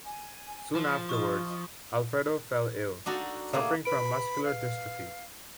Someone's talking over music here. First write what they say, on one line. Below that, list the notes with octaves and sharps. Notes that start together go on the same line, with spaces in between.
Soon afterwards, Alfredo fell ill, suffering from muscular dystrophy.
G#5
F3
F4 D#5 C#6 D#6
D4 D#4 F#4 A4
A3 A#3 G#4
B4 B5 D7
F5